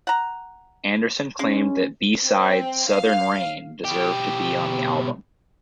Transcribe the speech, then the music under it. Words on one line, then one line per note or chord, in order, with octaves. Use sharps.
Anderson claimed that b-side "Southern Rain" deserved to be on the album.
F#5 A#5
G#3 C#4
C4
F5
B2 G4